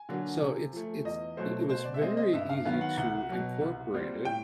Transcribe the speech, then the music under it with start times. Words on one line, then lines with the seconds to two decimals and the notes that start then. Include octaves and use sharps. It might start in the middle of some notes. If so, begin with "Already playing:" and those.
So, it's it's it it was very easy to incorporate it
Already playing: G#5
0.09 D3 F#3 A#3
0.41 C3
0.73 F3 A3
1.05 E2 D#5
1.37 B2 F#3 A3 C5
1.69 B2 C5
1.85 D5
1.94 E5
2.01 G#3 C4 D#5
2.17 D#5
2.33 G2 E5
2.49 F5
2.65 D#3 F#3 B3 F5
2.81 F#5
2.97 C2 F#5
3.29 B2 F#3
3.61 C2
3.94 A#2 G3 C4
4.25 A2 G5